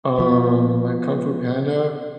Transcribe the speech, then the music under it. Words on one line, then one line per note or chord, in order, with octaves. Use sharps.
um, like Kung Fu Panda.
F3 B3